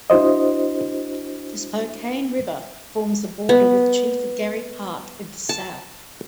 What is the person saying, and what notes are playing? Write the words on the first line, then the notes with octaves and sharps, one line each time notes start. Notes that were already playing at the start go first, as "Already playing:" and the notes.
The Spokane River forms the border with Chief Garry Park in the south.
D4 E4 F#4 C5 D#5
B3
A5